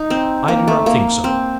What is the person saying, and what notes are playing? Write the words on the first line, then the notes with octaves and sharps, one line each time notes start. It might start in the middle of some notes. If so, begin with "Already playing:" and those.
I do not think so.
Already playing: D#4
C4
A#3
A3
A#3
C4